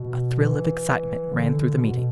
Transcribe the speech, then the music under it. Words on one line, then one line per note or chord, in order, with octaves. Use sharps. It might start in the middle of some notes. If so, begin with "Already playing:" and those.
A thrill of excitement ran through the meeting.
Already playing: B2
E3
D3
B2